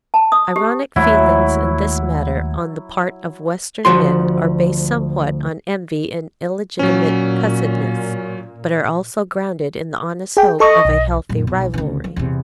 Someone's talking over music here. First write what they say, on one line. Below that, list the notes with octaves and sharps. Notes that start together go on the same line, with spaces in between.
Ironic feelings in this matter on the part of western men are based somewhat on envy and illegitimate cussedness, but are also grounded in the honest hope of a healthful rivalry.
A5
D#6
G4
D#2 F#3 G#3 A3 E4
D2 F3 F#4 C6
A#2 F#3 C#4
G#4 G5
A4 D#5 C#6 D#6
B1
F#2 A#2
B1
D2 C#3
F3
E2 C3